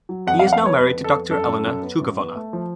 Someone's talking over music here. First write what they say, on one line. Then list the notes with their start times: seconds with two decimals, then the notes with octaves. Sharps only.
He is now married to Doctor Elena Tchougounova.
0.09 F#3
0.27 F2 F#5
0.39 F5
0.44 F2 F#5
0.53 F5
0.61 B3 C#5
0.78 F2 B4
0.96 B3
1.04 A4
1.14 F2
1.31 F#2 A4
1.48 F#2
1.66 F#2
1.82 B3
2.01 F#2
2.18 B3
2.35 A3
2.53 F3